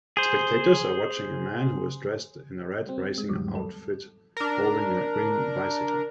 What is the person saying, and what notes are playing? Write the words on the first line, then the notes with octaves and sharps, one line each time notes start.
Spectators are watching a man who is dressed in a red racing outfit holding a green bicycle.
G#4 C5
G3 C4
G#3
E2 G#2 F#3 G3
A4
D4 A#4